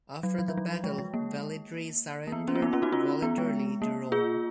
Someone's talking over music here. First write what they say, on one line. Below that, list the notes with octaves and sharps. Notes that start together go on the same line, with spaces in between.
After the battle, Velitrae surrendered voluntarily to Rome.
F#3
F#3
F3
F#3
G#3
G#3
A#3
A#3
B3
C#4
F4
B3 D#4
C#4 F4
D#4 F#4
C#4 F4
B3
G#3
A#3
F4 G#4